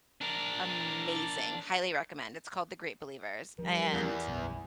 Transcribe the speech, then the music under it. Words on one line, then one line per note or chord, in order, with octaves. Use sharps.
amazing, highly recommend, it's called The Great Believers, and
D4 A#4
F3 G3 D4 G4 A#4
E2
B1 F#2 G3 E4